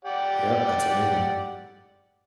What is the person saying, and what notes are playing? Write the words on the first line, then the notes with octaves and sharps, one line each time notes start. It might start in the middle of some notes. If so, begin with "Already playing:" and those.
Yep, that's a big one.
G4 D5 F#5